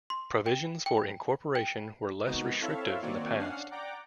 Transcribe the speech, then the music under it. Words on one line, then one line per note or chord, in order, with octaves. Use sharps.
Provisions for incorporation were less restrictive in the past.
C6
G5
G5
G5
C3 D#3 G#3 B3 D#4 F#4
C4 E4 A4 C#5 E5 F5
D#3 A#3 C4 F#4 C#5 D5
C#4 D4 F5 F#5 C7
D5 F#5 G5 A#5 D6